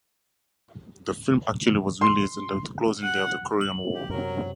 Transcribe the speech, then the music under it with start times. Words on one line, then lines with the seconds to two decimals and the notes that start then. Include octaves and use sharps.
The film actually was released in the closing days of the Korean War.
2.01 C6
3.03 F#5
3.61 F#7
3.94 G4
4.10 F#2 C3 F#3 A#4